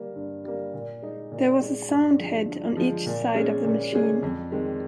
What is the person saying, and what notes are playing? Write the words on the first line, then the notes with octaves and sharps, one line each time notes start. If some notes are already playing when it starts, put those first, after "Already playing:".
There was a sound head on each side of the machine.
Already playing: G3 A#3
G2
G3 A#3
A#2
G#3 D#4
A#2
G#3 D#4
G2
F3 G#3
G2
F3 G#3
A#2
G#3 C#4 G#4
A#2
G#3 C#4 G#4
F2
D#3 G#3 C4